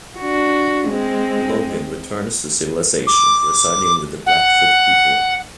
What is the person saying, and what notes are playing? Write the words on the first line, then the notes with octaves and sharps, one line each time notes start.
Logan returns to civilization, residing with the Blackfoot people.
D4 F#4
G#3 C4
D6
F#5